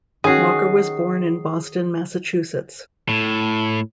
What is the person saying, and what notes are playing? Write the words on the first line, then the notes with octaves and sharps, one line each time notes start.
Walker was born in Boston, Massachusetts.
D#3 C#4 F#4 G#4 D#6 C7
A2